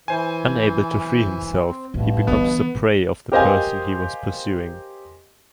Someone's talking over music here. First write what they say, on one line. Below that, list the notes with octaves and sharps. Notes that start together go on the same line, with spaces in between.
Unable to free himself, he becomes the prey of the person he was pursuing.
E3 C5 G#5
C4
A1 G2 B2
D3 E3 B3
G4 A#4 C5 D#5 F5 G#5